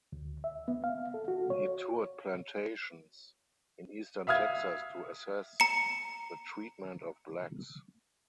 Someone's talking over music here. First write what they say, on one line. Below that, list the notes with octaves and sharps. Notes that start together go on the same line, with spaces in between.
He toured plantations in eastern Texas to assess the treatment of blacks.
D2
E5
B3
F5
A4
F#4
C#5
E5 F5 D#6 F6 G#6
A#5 C#7